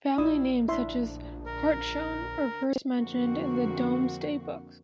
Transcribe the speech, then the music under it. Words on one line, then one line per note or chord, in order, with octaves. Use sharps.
Family names such as Hartshorne were first mentioned in the Domesday Book.
A#1 E4 F#4 D5 D#6
D2 D4 E4 E5 C6
A#4
F2 D3 A#3 C4 F#4